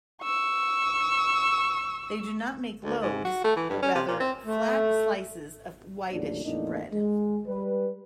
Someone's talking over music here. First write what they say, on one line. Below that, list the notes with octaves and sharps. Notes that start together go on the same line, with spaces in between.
They do not make loaves, but rather flat slices of a whitish bread.
C#6 E6
D2
G#2
F#4
A3
E3
G2
C#4
C3
A#2
C4
A3
D#2 A2 C#3 F#3 D4
E2 A2 A#3 D4 D#4
G#3
G3 B4